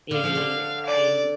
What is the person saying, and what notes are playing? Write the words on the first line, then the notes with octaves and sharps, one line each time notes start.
maybe I'm
D3 F5
F3
D3
D5